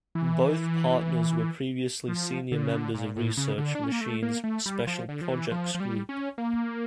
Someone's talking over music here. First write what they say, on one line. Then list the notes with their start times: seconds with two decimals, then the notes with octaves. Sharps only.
Both partners were previously senior members of Research Machine's Special Projects Group.
0.15 E3
2.08 F3
2.52 D3
2.63 C#3
2.76 D3
2.94 A#2
3.16 A2
3.37 C#3
3.58 D3
3.75 D4
3.84 C#4
3.92 A#3
4.01 A3
4.22 A#3
4.44 A3
4.66 G3
4.87 F3
5.09 D3
5.21 F3
5.30 E3
5.51 F3
5.75 F3
5.80 G3
6.09 C#4
6.38 A#3